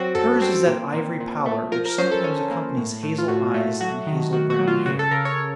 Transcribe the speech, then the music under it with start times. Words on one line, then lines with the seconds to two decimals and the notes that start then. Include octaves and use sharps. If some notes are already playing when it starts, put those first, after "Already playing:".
Hers is that ivory pallor which sometimes accompanies hazel eyes and hazel-brown hair.
Already playing: F#3 C4 F#4
0.15 F#2 A4
0.42 C4
0.67 A#2
0.93 A#2
1.20 A#2
1.46 A3
1.72 F3 A#4
1.85 A#4
1.98 C#4 C5
2.12 A4
2.24 C#4
2.51 A#3
2.77 A2
3.03 A2
3.18 F4
3.28 A2 F#4
3.54 A3
3.81 F#3 F#4
4.07 D#3
4.33 D#3 F#4
4.50 F#4
4.59 F#3
4.67 F4
4.85 C#3 F#4
4.99 A4
5.11 C#3 A#4
5.25 C#5